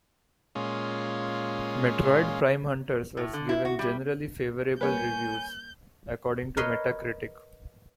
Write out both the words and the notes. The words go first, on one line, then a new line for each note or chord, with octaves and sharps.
"Metroid Prime Hunters" was given "generally favorable" reviews, according to Metacritic.
A#2 G#3 C#4 F4
A2
D3
E4
F#4
G3
G3 A#3 A#4 B4 C#5 G#5 G6
A#4 B4 C#5 D#5 B5 C6